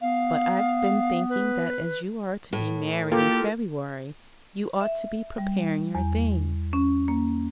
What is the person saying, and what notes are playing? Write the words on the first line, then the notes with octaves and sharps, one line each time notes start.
But I've been thinking that as you are to be married in February you ought to be preparing your things.'
B3 F5
B4
A2
A#3 F4 G4 A4 A#4
E5
G3
E2
C#4
A#3